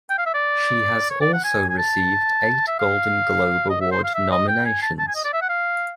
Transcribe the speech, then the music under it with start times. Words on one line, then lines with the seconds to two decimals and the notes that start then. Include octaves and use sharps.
She has also received eight Golden Globe Award nominations.
0.10 G5
0.18 F5
0.26 E5
0.34 D5
1.10 C#5
1.21 D5
1.33 F#5
1.44 G#5
1.69 G#5
1.78 A5
2.67 E5
2.79 F5
3.69 D#5
3.81 E5
3.92 C5
4.04 F5
4.14 E5
4.31 D#5
4.48 G5
4.65 G#5
4.82 A5
4.99 A5
5.08 G#5
5.15 D#5
5.24 D5
5.33 E5
5.42 F#5
5.49 F5